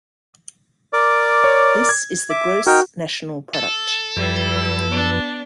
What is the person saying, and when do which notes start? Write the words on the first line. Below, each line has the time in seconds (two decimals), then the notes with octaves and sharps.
This is the Gross National Product.
0.93 A#4 D5 D6
1.44 C#5
1.89 G#6
2.30 E5 D6
2.67 D#4 F#4 A#4 G5
3.54 A4
4.17 F#2 F3 G3 E4 B4
4.87 B3 D4